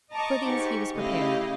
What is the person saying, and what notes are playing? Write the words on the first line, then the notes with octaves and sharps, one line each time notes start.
For these he was prepared.
D#5 A5 A#5 C#6 D6
G#2 G4 C#6
C#3 A3 E4 G4 D#5 F5